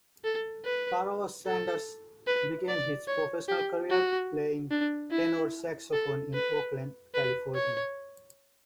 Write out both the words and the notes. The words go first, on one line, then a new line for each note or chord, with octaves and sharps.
Pharoah Sanders began his professional career playing tenor saxophone in Oakland, California.
A4
B4
A4
B4
D5
C#5
G4
F#4
D4
E4
A4
B4
B4
C#5